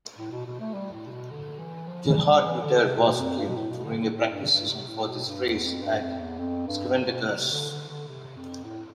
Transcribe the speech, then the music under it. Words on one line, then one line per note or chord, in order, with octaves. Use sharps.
Gerhard Mitter was killed during a practice session for this race at Schwedenkreuz.
A2
B2
B2
A3
G3
A2
C3
B2
D3
E3
F3
G3
G3
E3
D3
C3
B2
F2
G2
B2
A2
B2
D3
A2
A2
G2
G2
C3
A2
B2
G2
E2
F2
G2
F2
E2
F2
G2
B2
C3
C3
D3
D3
D3
C3
F2
A2